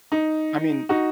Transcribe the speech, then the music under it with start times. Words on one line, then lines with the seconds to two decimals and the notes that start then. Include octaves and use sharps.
I mean
0.12 D#4
0.89 D#4 F#4